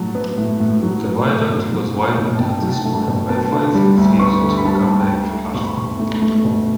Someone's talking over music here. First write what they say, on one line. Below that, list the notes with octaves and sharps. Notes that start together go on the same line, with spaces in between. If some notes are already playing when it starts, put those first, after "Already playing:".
The viaduct was widened at this point by five feet to accommodate the platform.
Already playing: A2 F#3 A5
B3
A2
A2
F#3
B3
A2
B2
F#3
A3
B2
A5
B2 G5
F#3
A5
A3
B2
B3 A5
D3
G3
D2
B3 C#6
D3
B5
G3 A5
D2
G5
A3 A5
A3
B2 C#6
B5
B2 C#6
A3
A3
B2